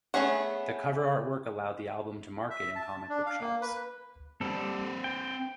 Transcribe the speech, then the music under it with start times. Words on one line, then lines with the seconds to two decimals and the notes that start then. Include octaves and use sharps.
The cover art work allowed the album to market in comic book shops.
0.14 A3 B3 C#4 G#4 F#5
2.50 E5
2.76 A5
3.09 D4
3.26 F5
3.41 A#3
3.61 B4
4.41 G3 C4 A4 B4
5.04 G5